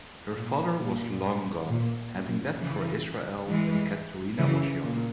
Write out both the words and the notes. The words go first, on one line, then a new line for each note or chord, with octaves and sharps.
Her father was long gone having left for Israel when Katherina was young.
A#2
A#2
A#2
F#2
C#3 E3
E3 G#3
C#3 E3
A#2